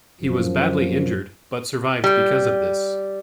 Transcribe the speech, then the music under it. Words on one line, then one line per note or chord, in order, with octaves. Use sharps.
He was badly injured, but survived because of this.
F#2 F3
G3